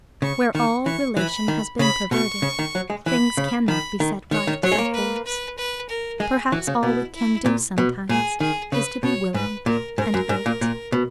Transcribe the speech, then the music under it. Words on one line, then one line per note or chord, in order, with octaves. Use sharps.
Where all relation has been perverted, things can not be set right by force. Perhaps all we can do sometimes is to be willing and wait.
C#3 C#6
D#3 C#6
E3 C#6
E3 B5
D#3
C#3 B5
B2 C#6
C#3
D#3
F#3
G#3
E3 B5
C#3
D#3 B5
D#3
D#3 C#5
D#3
F#3 C#5
G#3
A#3
B4
B4
B4
A#4
G#3 G#4
E3 F#4
C#3
B2 E4
E4
A#2
B2
A#2 G#4
D#3 G#4
C#3 B4
B2 C#5
G#2 B4
A#2 A#4
G#2 A#4
F#2
G#2
A#2
A#2
B2